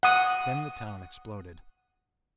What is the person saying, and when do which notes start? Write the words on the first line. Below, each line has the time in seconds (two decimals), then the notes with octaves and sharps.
Then the town exploded.
0.03 F#5 D#6